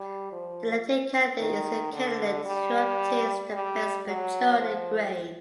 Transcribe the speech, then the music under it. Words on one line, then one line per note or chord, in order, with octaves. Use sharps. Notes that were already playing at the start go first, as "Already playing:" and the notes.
The elected candidate is the candidate who obtains the best majority grade.
Already playing: G3
F3
D#3
D3
G3
G3
F#3
F3